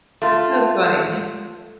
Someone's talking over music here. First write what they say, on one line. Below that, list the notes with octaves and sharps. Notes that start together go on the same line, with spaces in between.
That's funny.
A3 F4